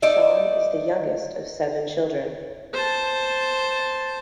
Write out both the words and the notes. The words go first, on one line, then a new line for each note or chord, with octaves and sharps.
Seann is the youngest of seven children.
D#4 D5 E5
C5 A5